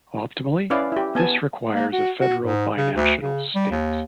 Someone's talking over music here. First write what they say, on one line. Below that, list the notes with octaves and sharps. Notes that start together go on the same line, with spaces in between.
Optimally this requires a federal binational state.
C#4 E4 B4 D5 F5
E4 G4
B3 G#5 A5
A#3
F#4
F#4
G#2
C#3
D2
C#3
G3
D#2